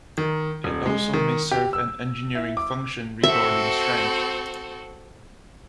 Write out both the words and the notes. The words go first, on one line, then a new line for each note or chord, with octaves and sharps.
It also may serve an engineering function regarding strength.
D#3
D#1
G#3
D#3
G4
E6
E4
D6
C4 F#4 A4 E5